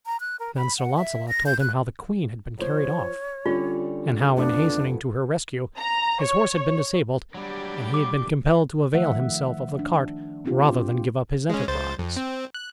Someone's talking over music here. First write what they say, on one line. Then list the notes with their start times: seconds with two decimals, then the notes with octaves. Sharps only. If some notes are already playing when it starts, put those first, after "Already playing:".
Then Sir Launcelot told him how the queen had been carried off, and how, in hastening to her rescue, his horse had been disabled and he had been compelled to avail himself of the cart rather than give up his enterprise.
0.06 A#5
0.20 F#6
0.40 A#4
0.57 B5
0.78 F#5
0.97 E5
1.29 A#6
1.46 G6
1.60 F#6
2.59 F3 C5 C#5
3.46 D3 G3 C#4 F4
4.37 F2 A3 B3 D4
5.78 A#5
6.23 C#5
7.34 F#3 G3 D4 G4
7.94 D6
8.94 D#3 F3 A3 E5 F#5
9.79 D4
10.45 A#3 C4 D4 F4 G4
11.49 G#3 C#4
11.68 C#2 C5 A6
11.99 F2
12.17 C4
12.54 F#6